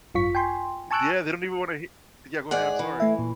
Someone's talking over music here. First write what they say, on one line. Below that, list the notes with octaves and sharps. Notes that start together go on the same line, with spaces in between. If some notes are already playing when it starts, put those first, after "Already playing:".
Yeah, they don't even want to hit yeah, go ahead, I'm sorry.
G#1 F#2 F4 C#6 B6
G5 G#5 C6
G#5 A5 C#6 E6 F#6 D7
G#2 G#4 D5 F#5
E3
A3 E5
A#2